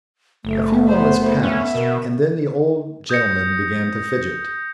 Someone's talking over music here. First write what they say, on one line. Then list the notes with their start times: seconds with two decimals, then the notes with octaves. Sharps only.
A few moments passed, and then the old gentleman began to fidget.
0.45 F#1 A3
0.88 B3 C5
1.43 B3 C#4 E5
1.75 B2 A#4
3.09 D#6 G6 G#6 A#6 C#7